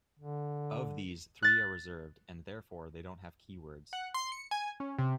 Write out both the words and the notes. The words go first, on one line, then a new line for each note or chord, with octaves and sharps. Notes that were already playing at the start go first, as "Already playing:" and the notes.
Of these, three are reserved and therefore they don't have keywords.
D3
F#6 A6
F#5
C6
C#7
G#5
C#4
C3